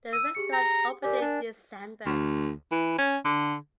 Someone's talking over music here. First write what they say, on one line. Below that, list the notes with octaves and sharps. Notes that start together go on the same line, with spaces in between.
The restaurant opened in December.
E6 D#7
G4 G#4 C#7
A#5
G4 A#4 D5 G#5
D4
D2
E3
C#4
D3